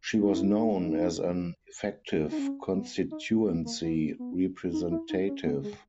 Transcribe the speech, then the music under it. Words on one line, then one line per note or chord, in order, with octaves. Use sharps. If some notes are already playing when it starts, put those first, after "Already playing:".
She was known as an effective constituency representative.
D#4
E4
D#4
D#4
C#4
B3
D#4
B3
A#3
B3
B3
D#4
E4
D#4
C#4
B3
G#3